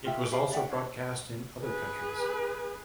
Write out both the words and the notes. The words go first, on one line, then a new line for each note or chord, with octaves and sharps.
It was also broadcast in other countries.
F4 G4 E5
G4 E5 F5 B5
D5 E5 F#5 G5
D4 C#5 A5
G#4 B4